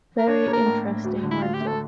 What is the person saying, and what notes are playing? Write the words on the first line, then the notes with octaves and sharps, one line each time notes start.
Very interesting writer.
A#4
D4 C#5
A#3
A#4
A2
A2
D2
D3
E4
D2 F4
G4
A3
A4